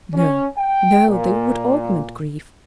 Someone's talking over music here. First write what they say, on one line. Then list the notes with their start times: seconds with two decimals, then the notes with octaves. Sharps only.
No, no, they would augment grief.
0.14 C#4
0.57 G5
1.07 A#2